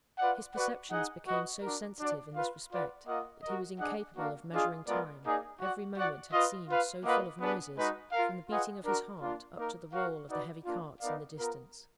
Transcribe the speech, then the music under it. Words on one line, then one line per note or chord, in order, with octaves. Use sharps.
His perceptions became so sensitive in this respect that he was incapable of measuring time, every moment had seemed so full of noises, from the beating of his heart up to the roll of the heavy carts in the distance.
F4 B4 D5 F#5
F#4 B4 D5 F#5
D#4 G#4 D#5 F#5
F#4 B4 D#5
D4 F#4 A#4
D4 F#4 D5
F4 B4 F5
F4 B4 D5 F#5
A#3 F4 A#4 D#5 F#5
F#4 A#4 D#5
D4 G#4 D#5 F#5
A#3 D4 F#4 A#4 F5
D4 F4 G#4 D#5
G#3 B3 F4 A#4 D5
A#3 D#4 G#4 D5
F#4 D5 F#5
F#4 D5 F#5
F4 B4 D#5
F4 B4 F5
A#3 F4 B4 D#5 F#5
B3 D4 G#4 B4
G#3 D#4 F#4 B4
F4 A#4 F5
F4 G#4 B4 D#5 F#5
D4 F#4 A#4
A#3 D4 F4
A#3 D#4 A#4
F#4 A#4 F5
D#4 F#4 B4 D5 F#5
A#3 D4 F4
B3 D#4 A#4 D5 F5
B3 F4 A#4